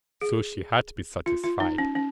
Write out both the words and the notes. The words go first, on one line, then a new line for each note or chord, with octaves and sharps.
So she had to be satisfied.
G#4
F4
F4
D#4
C#4
C#4